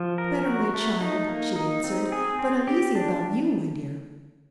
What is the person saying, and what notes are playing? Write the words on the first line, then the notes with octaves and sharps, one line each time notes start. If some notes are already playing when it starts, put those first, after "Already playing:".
"Better, my child," she answered, "but uneasy about you, my dear."
Already playing: F3
A#4
F#4
A3
D#4
A#3
D#4
C4
G#4
C4
G4
D4